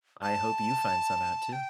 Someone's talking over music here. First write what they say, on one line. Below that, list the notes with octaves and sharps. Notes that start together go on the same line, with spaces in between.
I hope you find some out too.
A5
G5